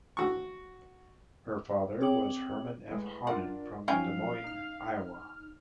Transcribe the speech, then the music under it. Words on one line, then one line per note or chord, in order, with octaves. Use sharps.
Her father was Herman F. Hahnen from Des Moines, Iowa.
F#4 C#6
C4 G#4 C#5 G5 D6 F#7
A2 G#3 B4
D4 F4 A#4 D5 F#5
F3 F#3 C#4 D#4 F5 G5 G#5
D#4 F6